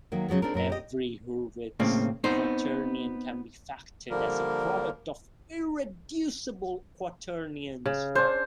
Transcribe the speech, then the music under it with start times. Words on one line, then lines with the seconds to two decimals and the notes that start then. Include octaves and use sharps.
Every Hurwitz quaternion can be factored as a product of irreducible quaternions.
0.12 D#3 F#3 A#3
0.28 C#3 F#3 G#3 B3
0.42 C4 D4 D#4 A#4
0.54 F#2 A#2 A#4 B4
0.69 G4 D#5
1.80 A2 C#3 A#3 C4
2.24 B3 C4 D#4 C5
4.10 D3 F3 G3 A#3 A#4
7.86 C#3
8.15 C#4 D4 C5